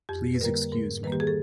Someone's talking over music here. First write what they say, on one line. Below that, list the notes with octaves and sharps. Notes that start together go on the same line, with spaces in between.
Please excuse me.
F2 G4
B4
D3 G3 A#3 A#4
G#2 A#4
D#3 G3 A#3 B4
G4
G#4
A4